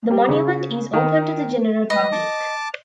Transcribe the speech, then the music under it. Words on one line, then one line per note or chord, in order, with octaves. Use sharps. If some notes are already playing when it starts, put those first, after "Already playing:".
The monument is open to the general public.
G3
C#3
D#3
B4 D#5
A5 D6